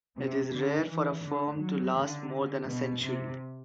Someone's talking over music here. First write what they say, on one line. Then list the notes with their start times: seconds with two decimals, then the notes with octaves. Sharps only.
It is rare for a firm to last more than a century.
0.17 C3
0.53 D3
0.88 E3
1.25 D3
1.60 F#3
1.97 D3
2.69 B2
3.04 C3